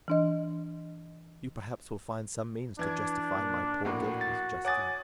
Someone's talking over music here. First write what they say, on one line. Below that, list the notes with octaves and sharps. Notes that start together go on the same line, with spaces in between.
You perhaps will find some means to justify my poor guiltless Justine.
E3 D4 D#5
E3 D4 G#6
A#2
A#1 A2 A#3 F#4
A6
C#5 F#5 G#5 D6 D#6 A6